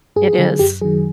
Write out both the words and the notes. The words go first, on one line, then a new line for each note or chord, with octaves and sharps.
It is.
G2 G#4
D3 F#3
F#2 G4
D#3 F#3 G#4